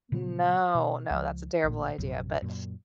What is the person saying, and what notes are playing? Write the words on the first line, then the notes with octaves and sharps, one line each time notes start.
No, no, that's a terrible idea, but
A#2 C#3 F#3 B3
B2
C#2 F3
A1 A#2
A#1 F#2 C3
F#2 A#2